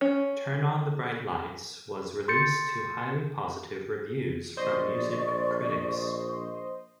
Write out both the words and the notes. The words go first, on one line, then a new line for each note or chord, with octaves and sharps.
"Turn on the Bright Lights" was released to highly positive reviews from music critics.
C#4
C6 G6 A6 C#7
A#1 C5 D5 D#5 C6 C#6